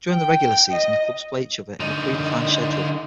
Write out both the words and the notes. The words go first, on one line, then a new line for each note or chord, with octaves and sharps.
During the regular season, clubs play each other in a predefined schedule.
G5
D#5
D3 D#4